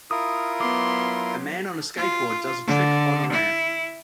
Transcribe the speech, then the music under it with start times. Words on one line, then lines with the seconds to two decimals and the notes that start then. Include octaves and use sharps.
A man on a skateboard does a trick on a ramp.
0.11 E4 F4 A#4 D#6
0.60 F#3 B3 C6 D6
1.96 F4
2.67 D3
3.32 E4